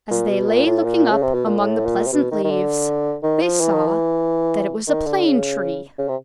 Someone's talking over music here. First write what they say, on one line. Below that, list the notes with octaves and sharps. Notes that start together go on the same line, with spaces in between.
As they lay looking up among the pleasant leaves, they saw that it was a Plane Tree.
A#2
B2
A#2
A2
A#2
C#3
C3
B2
A#2
A2
A#2
C3
B2
D#3
D#3
D3
D#3
F3
E3
D#3
E3
D#3
D3
C#3
C#3
C3